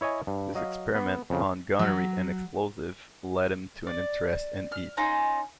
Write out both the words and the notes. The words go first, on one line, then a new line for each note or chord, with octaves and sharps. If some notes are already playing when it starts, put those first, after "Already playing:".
His experiments on gunnery and explosives led to an interest in heat.
E4 C#5 D#5 G#5
G2
F#3 D#5 F5
B3
F2 C#3
F#3
D5
F6
C#4 D#4 F4